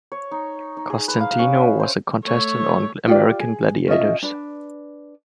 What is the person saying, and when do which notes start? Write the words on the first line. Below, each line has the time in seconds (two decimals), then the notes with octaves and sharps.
Costantino was a contestant on "American Gladiators".
0.12 C#5
0.31 D#4
0.77 D#4
0.90 G#4
1.08 B4
1.20 F5
1.39 C#4
1.58 E5
1.80 C5
2.24 A3 C#5
3.07 F4 G4 D5
3.40 G#4
3.88 C#4 F4 D#5 E5
4.23 D4 B4